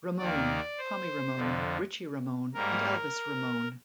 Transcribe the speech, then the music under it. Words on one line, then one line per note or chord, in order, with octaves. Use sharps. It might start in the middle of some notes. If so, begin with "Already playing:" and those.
Ramone, Tommy Ramone, Richie Ramone, and Elvis Ramone.
D#2 D#3 A#3 D5
C5
F2 D3 F3
G#2 G3 A#3 A#4